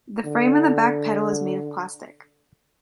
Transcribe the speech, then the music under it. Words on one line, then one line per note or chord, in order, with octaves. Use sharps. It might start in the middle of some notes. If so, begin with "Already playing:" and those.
The frame and the back panel is made of plastic.
D3